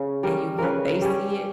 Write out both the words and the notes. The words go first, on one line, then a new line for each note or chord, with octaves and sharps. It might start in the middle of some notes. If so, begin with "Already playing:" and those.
and you hope they see it,
Already playing: C#3 C#4
G3 C#4 A#4
C#3 A#4 B4
G3 C#4